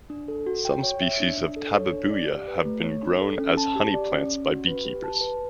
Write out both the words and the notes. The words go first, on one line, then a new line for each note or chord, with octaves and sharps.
Some species of "Tabebuia" have been grown as honey plants by beekeepers.
D4
A4
F#4
G5
C#5
E5
D4
D4
A4
C#5
D4
D5
G4
B4
A3
C#5
D4
A4
C#4
A5
G4
D5
C#4
C#4
F#4
B4
G4
A5
B4